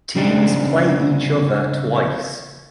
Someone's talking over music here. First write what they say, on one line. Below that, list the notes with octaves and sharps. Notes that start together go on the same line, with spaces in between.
Teams play each other twice.
C#3 G3 C4 D4 D#4